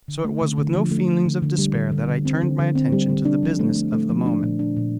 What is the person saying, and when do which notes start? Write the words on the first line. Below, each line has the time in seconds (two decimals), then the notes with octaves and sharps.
So it was with no feelings of despair that I turned my attention to the business of the moment.
0.08 D3
0.24 A3
0.41 D3
0.58 D3
0.75 F3
0.91 A3
1.08 F3
1.26 D3
1.42 D3
1.58 G3
1.75 D3
1.92 D3
2.09 D3
2.25 C4
2.43 D3
2.59 D3
2.75 C4
2.92 G3
3.09 D3
3.25 D4
3.43 F3
3.59 A3
3.76 A3
3.93 A3
4.10 F3
4.26 D4
4.43 A#2
4.59 D4
4.76 A#2